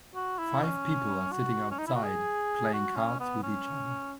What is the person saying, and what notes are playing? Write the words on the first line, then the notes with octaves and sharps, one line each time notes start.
Five people are sitting outside playing cards with each other.
F#4
E4
C#4
F#4
C#4
D#4
E4
F#4
G#4
F#4
C#4
B3
C#4